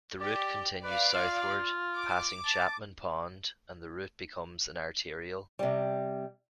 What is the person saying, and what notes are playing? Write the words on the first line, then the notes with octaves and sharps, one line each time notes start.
The route continues southward, passing Chapman Pond and the route becomes an arterial.
G4 D5
B4 D5 F5
F4
D6
A5
C3 G3